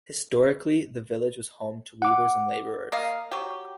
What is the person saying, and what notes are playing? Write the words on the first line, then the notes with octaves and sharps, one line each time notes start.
Historically the village was home to weavers and labourers.
F#5 D6
A#3 D#5 F5
F#3 G4